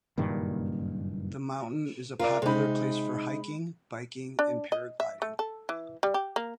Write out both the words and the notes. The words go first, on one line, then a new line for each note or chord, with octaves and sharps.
The mountain is a popular place for hiking, biking and paragliding.
F#1 G2 A#2 D#3
F4 A#4 D5
C3 G#3 D#4 B5
D4
D#5
E5
A3
A4
E3
G3
G4
A#3